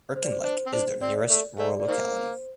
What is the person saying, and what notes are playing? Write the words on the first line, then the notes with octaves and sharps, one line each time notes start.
Irkenlek is the nearest rural locality.
C5
D5
C5
D4 C5
C4
D4 C5
C4 D5
A3
A3 D5
D5
D#3 A#3 C5